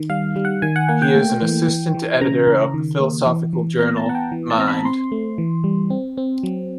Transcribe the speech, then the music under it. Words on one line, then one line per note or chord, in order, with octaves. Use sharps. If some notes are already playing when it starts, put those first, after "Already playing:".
He is an assistant editor of the philosophical journal "Mind".
Already playing: D#3
G3 F5
G3
F#5
D#3 G#5
F#5
A#3 F#5
G5
A3
E3
E3
E3
C#3 A#5
C#3
D#3
A#3
E3
E3
B3 A#5
A5
B3 F#5
G5
E3
A5
C4 A#5
B5
C4 C6
A3
E3
G3
C4
C4
F#3